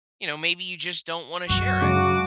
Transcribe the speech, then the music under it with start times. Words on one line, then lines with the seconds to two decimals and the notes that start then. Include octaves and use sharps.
You know, maybe you just don't wanna share it.
1.49 F#2 F#4
1.81 C#3 F#3 G#3 D6